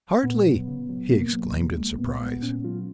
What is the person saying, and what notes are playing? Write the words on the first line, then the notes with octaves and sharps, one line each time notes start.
"Hartly!" he exclaimed, in surprise.
A#2 B3
F#3
C#3
F#3
B2 A#3
F#3
B2
G#3
A#2 B3
G#3 B3
A#2 C#4
F#3 F4